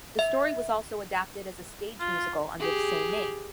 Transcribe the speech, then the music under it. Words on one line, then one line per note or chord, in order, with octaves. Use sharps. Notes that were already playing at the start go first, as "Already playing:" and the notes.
The story was also adapted as a stage musical under the same name.
E5
F4
G4 G#4